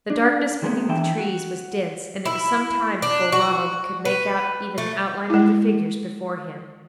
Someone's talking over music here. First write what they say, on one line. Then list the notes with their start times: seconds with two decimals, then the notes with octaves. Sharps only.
The darkness beneath the trees was dense, and it was some time before Ronald could make out even the outline of the figures before him.
0.10 D4
0.62 D#3 F#3 G#3 B3 C4
0.89 E3 D4 E5 G5
1.18 F#4
2.25 E4
3.02 D4
3.32 F#4
4.05 B4
4.78 A3
5.30 G#3 E4